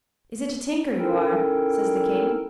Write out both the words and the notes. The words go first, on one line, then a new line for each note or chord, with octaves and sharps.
"Is it a tinker you are?" says the king.
C#4 D#4 E4 A4 A#4 G5